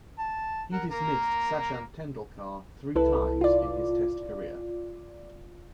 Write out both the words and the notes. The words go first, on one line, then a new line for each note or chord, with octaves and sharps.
He dismissed Sachin Tendulkar three times in his Test career.
A5
A#4 F#5
A#3 A#4 A#5
C2 E4 A4 B4
F4 D5